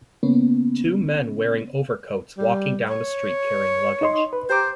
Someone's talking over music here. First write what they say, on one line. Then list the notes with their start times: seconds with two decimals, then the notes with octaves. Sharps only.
Two men wearing overcoats walking down the street carrying luggage.
0.23 C#3 A#3 B3 C#4
2.37 G3
2.89 C#5
4.01 D#4 D#5 C6
4.33 B4
4.50 G4 C5 A#5 D6